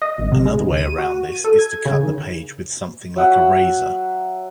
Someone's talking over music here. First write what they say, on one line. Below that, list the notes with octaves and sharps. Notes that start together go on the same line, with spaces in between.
Another way around this is to cut the page with something like a razor.
D#5
G#1
C3
G#3
D2
D#7
F#4
D#7
A4
G#6
C#3
D#3
F#3 E5 F#5